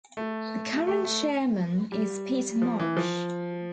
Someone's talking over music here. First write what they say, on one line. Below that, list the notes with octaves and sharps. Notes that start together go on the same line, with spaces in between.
The current chairman is Peter Marsh.
A3
A3
A3
G3
F3
E3
F3